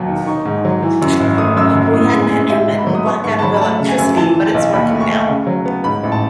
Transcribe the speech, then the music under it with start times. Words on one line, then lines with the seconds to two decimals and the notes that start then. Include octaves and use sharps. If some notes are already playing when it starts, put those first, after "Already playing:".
We had an intermittent blackout of electricity, but it's working now.
Already playing: E1 D#2 F#3
0.08 D#3
0.27 D#4 C#6
0.45 G#2
0.65 F#3
0.83 E3
1.02 F#2
1.20 G#1
1.38 A3 D#6
1.56 F#2 E6
1.75 F#2
1.94 A2 D#6
2.13 G#3
2.22 G#5
2.32 G#3
2.50 G#2 E5
2.68 G#2
2.78 B5
2.87 F#3
2.95 D#6
3.06 B3 C#6
3.24 G#2 C#6
3.39 A5
3.42 F#3 B5
3.54 B5
3.61 A3 A5
3.79 C#3
3.89 G#5
3.98 F#2
4.17 E3 A5
4.35 E3
4.45 A5
4.54 B1
4.73 D#2 B5
4.91 A3
5.01 C#6
5.10 A3
5.28 C#3
5.47 F#3
5.66 B3
5.84 G#2 B5
6.03 A1
6.12 A5